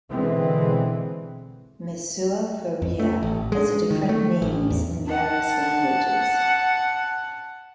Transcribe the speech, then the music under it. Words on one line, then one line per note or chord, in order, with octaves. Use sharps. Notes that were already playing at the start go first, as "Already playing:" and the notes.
Mesua ferrea has different names in various languages.
B2 D3 E3 G#3 C4
F2
A3
A1
G#3
D#3
A3
A1
E2
F#5 A5